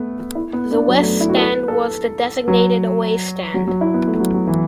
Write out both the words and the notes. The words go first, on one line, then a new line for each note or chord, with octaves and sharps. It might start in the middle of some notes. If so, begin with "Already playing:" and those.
The West Stand was the designated away stand.
Already playing: A3 B3
E4
B3
D4
F#3
A3
E4
F#4
A4
B4
A4
F#3
F#3
F#3
E4
B3
A3
F#3
F#3
E3